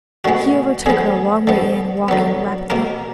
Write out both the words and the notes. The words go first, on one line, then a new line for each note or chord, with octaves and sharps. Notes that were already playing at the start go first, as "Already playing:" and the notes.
He overtook her a long way in, walking rapidly.
D3 G#3 B3 F#4
D3 F3 B3 G#4
D3 F3 B3
D3 F#3 B3
B2 A#3 A#4